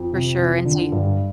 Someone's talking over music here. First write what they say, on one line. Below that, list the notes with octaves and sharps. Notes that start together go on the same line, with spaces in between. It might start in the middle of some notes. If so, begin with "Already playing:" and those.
For sure. And so y
Already playing: F2
C3
F2
D3
G2